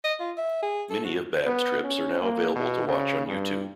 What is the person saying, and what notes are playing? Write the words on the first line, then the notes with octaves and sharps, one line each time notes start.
Many of Babbs's trips are now available to watch on YouTube.
D#5
F4
E5
G#4
A4
F#4
B3
C#4
A#3
B2
C#3
G2